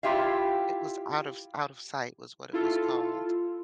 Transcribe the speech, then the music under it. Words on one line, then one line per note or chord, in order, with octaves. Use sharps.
It was Out of Out of Sight was what it was called.
E4 F4 G4 E5 F5
E4 F4 A4